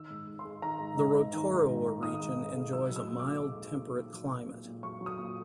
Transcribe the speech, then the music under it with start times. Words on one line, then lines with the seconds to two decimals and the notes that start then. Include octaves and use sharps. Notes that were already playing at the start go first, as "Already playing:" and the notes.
The Rotorua region enjoys a mild temperate climate.
Already playing: D#3 E6
0.10 G#2
0.27 G#2
0.39 C6
0.45 G#3
0.62 D#3 A#5
0.80 G#2
0.97 G#2
1.16 G#3
1.33 D#3
1.50 G#2
1.68 G#2
1.85 G#3
2.02 D#3 D#6
2.20 G#2
2.38 G#2
2.56 G#3
2.73 F#3 E6
2.90 F#3
2.96 E6
3.08 A#2
3.19 D6
3.26 A#2
3.43 F#3
3.60 F#3
3.78 A#2
3.96 A#2
4.13 F#3
4.31 F#3
4.48 A#2
4.66 A#2
4.83 F#3 C#6
5.01 F#3
5.06 D#6
5.18 A#2